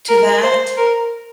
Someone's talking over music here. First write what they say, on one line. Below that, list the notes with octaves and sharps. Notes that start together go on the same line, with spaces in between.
to that.
A#4
C5
A#4